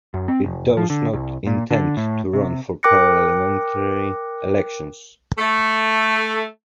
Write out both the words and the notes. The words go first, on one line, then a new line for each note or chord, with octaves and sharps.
It does not intend to run for parliamentary elections.
F#2
C4
F1
F3
D3
C2
A#2
D3
A2
C3
A#4 G5 D6 F#6 A#6 C#7
A3